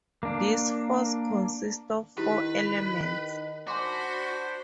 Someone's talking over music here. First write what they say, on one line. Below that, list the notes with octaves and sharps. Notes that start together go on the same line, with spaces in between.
This force consists of four elements.
A#3 D4
D#3 D#4 E4 G4 B4
D4 F#4 C5 G#5 B5 C6 D6